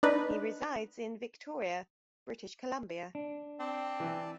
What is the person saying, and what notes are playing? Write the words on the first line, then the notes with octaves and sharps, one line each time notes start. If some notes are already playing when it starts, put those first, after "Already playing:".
He resides in Victoria, British Columbia.
D4 D#4 B4
D4
C4 D5 A5
E3